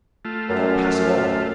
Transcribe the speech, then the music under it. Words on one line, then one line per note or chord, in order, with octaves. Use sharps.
"I'll pass 'em all!"
A3 F4
F#2